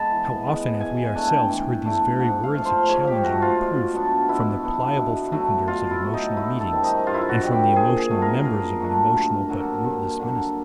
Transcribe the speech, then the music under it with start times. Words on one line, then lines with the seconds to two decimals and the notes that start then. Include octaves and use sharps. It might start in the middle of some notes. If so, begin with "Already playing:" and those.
How often have we ourselves heard these very words of challenge and reproof from the pliable frequenters of emotional meetings, and from the emotional members of an emotional but rootless ministry.
Already playing: G#3 B3 A5 B5
0.11 E3
0.47 G#3 B3
0.81 E3 G#5
1.05 G#5
1.15 A3 D4
1.28 G5
1.50 E3
1.85 A3 D4
2.19 G#2 F#5
2.44 F5
2.55 F3 A3
2.66 C5
2.89 G#2 C#5
3.07 G4
3.24 F3 A3 F#4
3.42 F4
3.59 B2
3.94 F#3 B3 D4
4.28 B2 E4
4.63 F#3 B3 D4
4.98 B2
5.32 F#3 A3
5.68 B2 F4
5.91 E4
6.02 F#3 A3
6.14 D#4
6.37 G2 E4
6.60 A4
6.71 D#3 G3 C4
6.83 D#4
7.07 G2 F4
7.14 E4
7.21 F4
7.29 F#4
7.42 D#3 G3 C4
7.53 G4
7.76 A#2 G#4
7.99 G#4
8.10 F#3 A3 D4
8.22 A#4
8.45 A#2 A#4
8.80 F#3 A3 D4
9.15 G2
9.49 D3 F#3 A#3
9.84 G2
10.19 D3 F#3 A#3